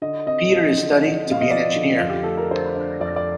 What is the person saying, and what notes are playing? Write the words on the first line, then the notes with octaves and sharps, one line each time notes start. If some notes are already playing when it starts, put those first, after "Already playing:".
Peter is studying to be an engineer.
D3 D#5
C4 D#5
F3
D3
D3
C4 F5
D#5
F3 D5
D3
F2 F4
G4
A3 A4
A#4
D3 C5
D4
F2 D5
D5